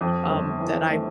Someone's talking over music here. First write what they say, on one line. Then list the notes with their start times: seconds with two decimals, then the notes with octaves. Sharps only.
um, that I
0.01 F2
0.30 G1
0.61 E3
0.91 A3